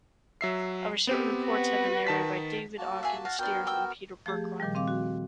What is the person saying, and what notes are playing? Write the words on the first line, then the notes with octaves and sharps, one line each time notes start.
However, certain reports have been narrated by David Ogden Stiers and Peter Berkrot.
F#3 E5 C7
B3 C4 G4
F#4 B4
D#3 A5 B6
A#3 F#4 A5
G#4 E5
F#4 F5 A5
B3 D4 F#4 A#4 G5
G5 E6
F3 A3 G4 G#4
A#2 D#3 F3 G3
C4 F5 D6
F#4